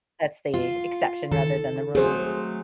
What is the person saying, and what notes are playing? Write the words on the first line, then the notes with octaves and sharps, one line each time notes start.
that's the exception rather than the rule.
F4
D#3 A4
F#3 A3 G#4 C5